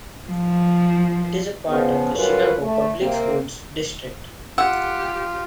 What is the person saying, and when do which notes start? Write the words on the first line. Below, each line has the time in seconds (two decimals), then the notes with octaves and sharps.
It is a part of the Chicago Public Schools district.
0.30 F3
1.69 C#3 F3 B3
2.15 F#2 G3 F4 A4 B4 C#5
2.61 A3
3.01 C3 A#3 C4
4.58 F4 G4 F#5 E6